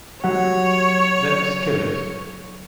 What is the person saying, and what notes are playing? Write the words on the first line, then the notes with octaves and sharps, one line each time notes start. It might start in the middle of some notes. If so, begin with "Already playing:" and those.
Let's kill it.
F#3 G4 C#5 F#5